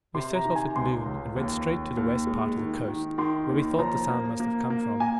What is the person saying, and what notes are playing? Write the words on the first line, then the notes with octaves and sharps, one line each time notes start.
We set off at noon, and went straight to the west part of the coast, where we thought the sound must have come from.
C3 C6
A#5
D#3
G#5
C#2 C6
C#2
D#2
D#2
D#2
G#3
D#3
D#3
D#3 C6
D#2
F3 A#5
A#3
A#3
A#3
A#3 G#5